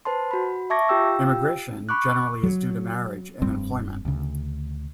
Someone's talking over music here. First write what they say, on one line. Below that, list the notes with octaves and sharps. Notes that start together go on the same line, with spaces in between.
Immigration, generally, is due to marriage and employment.
B4 C5 A5 C6
F#4 B5
E5 A5 C#6 D6 G#6 A#6
F4 G4 G5 E6
B5 C#6 D6 F#6
F#3
F1 G2 G3 C4
D2 C#3